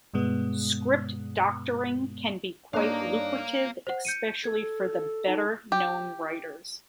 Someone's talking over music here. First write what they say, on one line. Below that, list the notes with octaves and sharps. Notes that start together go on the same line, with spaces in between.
Script-doctoring can be quite lucrative, especially for the better-known writers.
G2 B2 G#3 B3
G2 A#3 D4 D#4 C#5 D5 F5 A#5
C5 F#5
G6 C#7 D#7
A4 G#6
D#4
G4